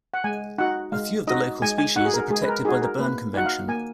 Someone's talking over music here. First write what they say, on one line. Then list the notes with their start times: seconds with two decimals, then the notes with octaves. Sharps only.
A few of the local species are protected by the Bern Convention.
0.14 F#5
0.24 G#3 G#5
0.58 D#4 F#4 F#5
0.92 G#3 F5
1.27 D#4 F#4 D#5
1.62 G#3 G#5
1.78 G#5
1.96 D#4 F#5
2.01 F#4 G#4
2.14 A#4
2.30 G#3 G#4
2.42 B4
2.48 A#4
2.65 D#4 G#4
2.68 F#4
2.82 A#4
2.99 A#3 B4
3.34 D#4 F#4 F#5
3.46 F5
3.68 A#3 G#5